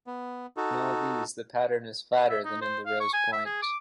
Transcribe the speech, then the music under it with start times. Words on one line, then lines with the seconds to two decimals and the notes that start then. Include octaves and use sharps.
In all these the pattern is flatter than in the rose-point.
0.07 B3
0.57 D#4 F#4 A4
2.30 E5
2.45 D#4
2.62 C5
2.86 F5
3.00 C#6
3.13 G#5
3.33 E5
3.45 G#4
3.62 D6